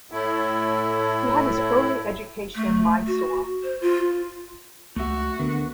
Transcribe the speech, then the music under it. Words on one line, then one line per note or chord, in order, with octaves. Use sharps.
He had his early education in Mysore.
A2 A3 E4
A3
F#4
C5
F4
C#2 A3 F#4 E5
D3 B3 D4 A#4